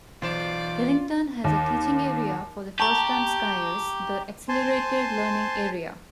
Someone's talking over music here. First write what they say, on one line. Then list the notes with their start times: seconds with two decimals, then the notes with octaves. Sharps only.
Killington has a teaching area for first-time skiers, the "Accelerated Learning Area".
0.22 B1 E3 F4 C5 D5 E7
1.44 D#2
2.79 G4 A5 A#5 C#6 F#7
4.49 C5 G#5 A5 C6